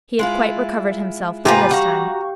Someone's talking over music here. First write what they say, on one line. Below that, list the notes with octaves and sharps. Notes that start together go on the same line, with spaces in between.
He had quite recovered himself by this time.
G#3 E4 F4
G#2 C3 A#3 F4 G4 B4 G#5 A#5
G3 F#4 F5 A#5 C#6